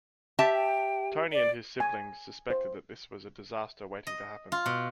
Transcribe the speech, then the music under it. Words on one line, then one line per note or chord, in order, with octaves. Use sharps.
Tony and his siblings suspected that this was a disaster waiting to happen.
G4 E5 A5
G5
D5
G#5
C5
D#5
F4
B2